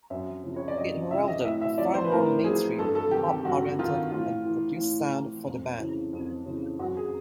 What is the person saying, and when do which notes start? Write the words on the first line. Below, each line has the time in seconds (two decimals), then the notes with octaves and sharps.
It heralded a far more mainstream, pop-oriented and produced sound for the band.
0.10 F#2 E5
0.44 C#3 F3
0.56 C#5
0.68 D5
0.78 F#2 D#5
1.11 C#3 F3 E5
1.28 D#5
1.44 A2 E5
1.61 E5
1.78 F3 D5
1.94 C5
2.05 B4
2.11 A2 A#4
2.44 F3 G#4
2.79 G2 A4
2.95 A4
3.11 D#3 G4
3.28 G4
3.45 G2 F#4
3.79 D#3 F4
4.11 A2 F4
4.45 E3
4.79 A2
5.12 E3
5.46 F2
5.79 C#3 E3
6.13 F2
6.46 C#3 E3
6.79 F#2 F#4
6.97 G#4